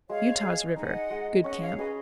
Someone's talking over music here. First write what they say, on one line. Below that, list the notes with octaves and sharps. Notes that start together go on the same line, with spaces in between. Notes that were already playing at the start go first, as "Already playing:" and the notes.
Utah's River.--Good camp.
G#3 C#5 F5
G#4
D#4 D#5 F#5
G#3
C#4 D#5 F#5
C#5 F5
G#4 B4 D#5